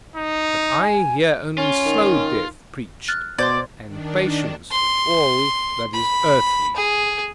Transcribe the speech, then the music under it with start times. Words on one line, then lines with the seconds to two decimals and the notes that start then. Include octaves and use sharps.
But I hear only slow death preached, and patience with all that is "earthly."
0.16 D#4
0.81 G#5
1.58 C#4 F4
1.85 D#3
3.08 F6 F#6 A6
3.39 B2 C5 D5 C6 G6 G#6
3.86 D#3 D4
4.71 C6
5.94 B5
6.76 G#4